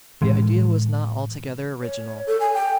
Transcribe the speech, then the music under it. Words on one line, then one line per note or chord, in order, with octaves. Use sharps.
The idea was not altogether original.
A2 E3 G#3
C#5
A4
G#5
G5